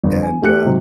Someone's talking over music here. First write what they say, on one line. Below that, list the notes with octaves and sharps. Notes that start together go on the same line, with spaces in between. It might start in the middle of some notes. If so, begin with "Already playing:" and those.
and, uh
G1
G#5
A3 G4 F#6 C#7
G#2 C3 F#3